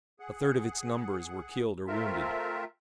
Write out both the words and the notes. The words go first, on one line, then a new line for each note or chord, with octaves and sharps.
A third of its numbers were killed or wounded.
G#4 F#5
A3 C4 F4 A#4 E5